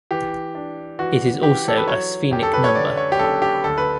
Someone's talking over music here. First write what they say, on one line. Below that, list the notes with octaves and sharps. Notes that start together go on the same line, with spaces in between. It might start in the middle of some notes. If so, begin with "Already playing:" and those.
It is also a sphenic number.
E3 G4
D4
E3 F#4
E3 G4
A4
B4
F#3 C#5
F#2 G4
A4
B4
C#5
D3 D5
C#5
G4
F#1 A4
G4
D2 A4
B4